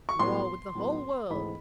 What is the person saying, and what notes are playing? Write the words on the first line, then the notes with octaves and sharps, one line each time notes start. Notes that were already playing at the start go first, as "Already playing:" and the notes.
War with the whole world!
C#6
A2 F#3 B3 C6
A2 F#3 B3
G#2 E3 A3 C4 B5